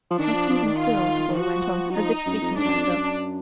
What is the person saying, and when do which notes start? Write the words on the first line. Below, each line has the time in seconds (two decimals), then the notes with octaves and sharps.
"I see him still," the boy went on, as if speaking to himself.
0.11 F3
0.19 D#3 D4
0.34 F3
0.49 F3
0.63 D#3
0.79 F4
1.28 D#3
1.38 F3 F#4
1.91 F#3
1.96 F3 D#4
2.26 F#2
2.42 F2
2.56 G#2 D4
2.65 F#2
2.76 F2
2.85 F#2